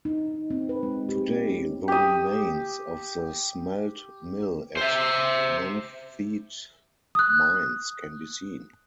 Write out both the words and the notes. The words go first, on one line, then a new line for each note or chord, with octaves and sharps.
Today the remains of the smelt mill at Nenthead Mines can be seen.
D#4
C4
B4
G#3
G4
C#4
G4 D#6
C5 E5
D#6 F#6